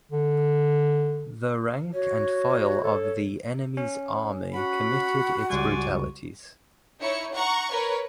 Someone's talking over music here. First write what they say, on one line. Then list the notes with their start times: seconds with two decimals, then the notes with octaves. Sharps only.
The rank and file of the enemy's army committed its brutalities.
0.11 D3
1.93 F#4 C#5
2.83 A4
3.77 C#4
4.54 F#4 F#5 B5
5.50 C#2 G3 D5 G#5 C6
7.01 D#4 E4 C#5 C#7
7.34 F#5 A#5 C#6
7.71 A#4 B4 C#5